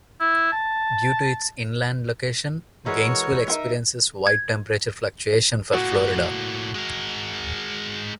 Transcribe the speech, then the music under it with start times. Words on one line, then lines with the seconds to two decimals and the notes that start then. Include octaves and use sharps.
Due to its inland location, Gainesville experiences wide temperature fluctuation for Florida.
0.20 E4
0.52 A5
2.86 E3 G#3 F#4 A#4 C#5
3.48 D#4 F4 A#4 E5
4.27 G#6
5.73 A2 A#3 F#4
6.75 G#3 A#4